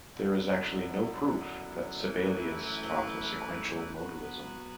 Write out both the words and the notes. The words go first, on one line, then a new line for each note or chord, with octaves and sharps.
There is actually no proof that Sabellius taught a sequential modalism.
F#2 D3 F#3 B3 E4
F#2 E3 A3 E4 B4
F#3 B3 F#4 B4